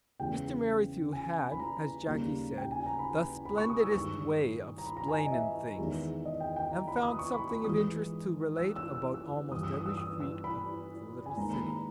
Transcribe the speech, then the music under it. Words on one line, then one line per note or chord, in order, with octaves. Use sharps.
Mr. Merrithew had, as Jackie said, "the splendidest way of splaining things," and found something of interest to relate about almost every street of the little city.
E2 C#3 G#3 G5
G#5
B5
A#5
D#2 C#3 G3 A#3
G5
G#5
A#5
B5
B5
C#6
D#6
E6
G2 D#3 G#3 C#6
A#5
B5
A#5
G#5
D#5
E5
E2 D#3 G#3
D#5
G5
G5
A#5
B5
D#6
C#6
B5
C#6
G#2 E3 G#3 D#6
E6
E6
E6
E6
G2 E3 G3 D#6
E6
D#6
E6
D#6
E6
B5
G#5
G#2 D#3 A#3 A#5
B5
A#5